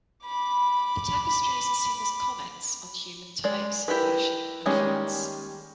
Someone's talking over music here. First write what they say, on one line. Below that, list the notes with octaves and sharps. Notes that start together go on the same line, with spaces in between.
The tapestries seem as comments on human types, fashion and fads.
B5 D6
G#3 D5
E4 G4 A#4 B4
D#3 G3 G#3 A#3 C#4